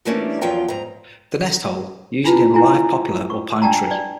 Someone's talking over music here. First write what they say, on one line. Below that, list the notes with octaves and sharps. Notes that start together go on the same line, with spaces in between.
The nest hole, usually in a live poplar or pine tree.
E3 G3 A3 A#3 C#4 D4
E2 F3 F#3 F4 G5 A#5
G#2 A#5
D4 E4 F4 B4 A5
E4 G#5 A#5
C#6
D4 D5 G5 A5 A#5
B4 D5